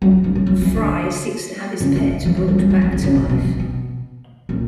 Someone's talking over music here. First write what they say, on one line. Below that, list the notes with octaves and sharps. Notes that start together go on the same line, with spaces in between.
Fry seeks to have his pet brought back to life.
F#3
D3
F#3
F#3
E3
D3
C#3
C#3
D3
E3
E3
F#3
G3
F#3
E3
D3
C#3
B2
B2
D3
B2
A#2